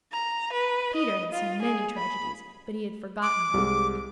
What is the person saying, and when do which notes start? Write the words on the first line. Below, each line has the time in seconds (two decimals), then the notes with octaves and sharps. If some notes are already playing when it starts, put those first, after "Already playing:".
Peter had seen many tragedies, but he had forgotten them all.
0.12 A#5
0.53 B4
0.95 D#5
1.32 F4
1.62 G#4
1.97 B5
3.22 D6
3.54 C2 G#3